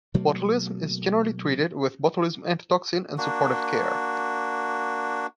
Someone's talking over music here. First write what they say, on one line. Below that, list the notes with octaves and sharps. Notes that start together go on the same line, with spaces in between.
Botulism is generally treated with botulism antitoxin and supportive care.
B2 F#3 A3 A#3
A#3 D4 F#4